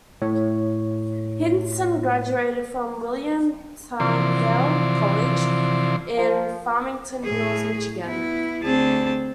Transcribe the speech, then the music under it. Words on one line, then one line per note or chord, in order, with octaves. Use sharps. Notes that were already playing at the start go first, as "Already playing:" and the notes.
Hindson graduated from William Tyndale College in Farmington Hills, Michigan.
A2 C#5
C3 E3 F3 D5 C6
F3
A2 G#4
B3 E4
D2 C4 G#4 A5